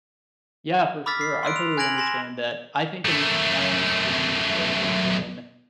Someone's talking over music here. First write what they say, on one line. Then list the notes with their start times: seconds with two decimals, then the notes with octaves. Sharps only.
Yeah, for sure. I totally understand that. I think in my own experience, there has been,
1.06 B5 D6 E6 F6 A6 B6
1.21 C7
1.43 C6 E6 F#6 D7
1.56 F7
1.77 G#5 F#6 G#6 A#6 D7 F#7
1.97 G#5 C6 A#6 E7
3.05 F#2 A3